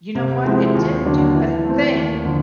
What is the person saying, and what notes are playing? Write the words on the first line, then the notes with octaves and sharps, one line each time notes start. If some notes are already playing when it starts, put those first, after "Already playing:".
You know what? It didn't do a thing
C3
F3 G#3 C4 E4
D#2
D3 F#3 A#3 D4
E3
A3 C4
D#2
D3 F3